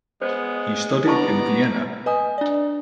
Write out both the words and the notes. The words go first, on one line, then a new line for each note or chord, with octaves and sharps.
He studied in Vienna.
G#3 B3 C5
B3 E4 D5 A5 A#5 C#6
B4 D#5 G#5 D#6
D4 D5